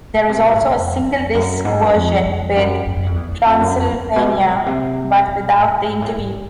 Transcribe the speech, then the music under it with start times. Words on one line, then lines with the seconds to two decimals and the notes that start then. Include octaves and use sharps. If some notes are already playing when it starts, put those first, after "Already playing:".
There is also a single-disc version with "Transylvania", but without the interview.
0.14 B2
0.29 C3
0.45 A#2
0.54 A2
0.61 A#2
0.74 F2
1.04 F2
1.35 F#2
1.65 G#2
1.81 G2
1.95 F2
2.25 F2
2.56 F#2
2.86 F#2
2.96 F#2
3.06 F2
3.16 E2
3.32 E2
3.45 F2
3.61 F#2
3.76 F2
3.92 F2
4.06 G2
4.16 B2
4.26 C3
4.37 C3
4.45 B2
4.52 A#2
4.66 C3
5.28 B2
5.57 A2
5.72 A2
5.88 G#2
6.02 A2
6.17 G#2